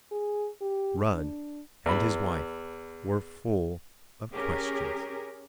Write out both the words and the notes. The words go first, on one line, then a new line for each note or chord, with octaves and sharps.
Rudd and his wife were full of questions.
G#4
G4
D4
E2 B5
C#4 G4 G#4 A#4